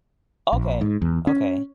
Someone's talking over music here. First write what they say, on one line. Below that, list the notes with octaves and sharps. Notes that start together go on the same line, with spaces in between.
Okay, okay.
A#1
G#2
E2
C#4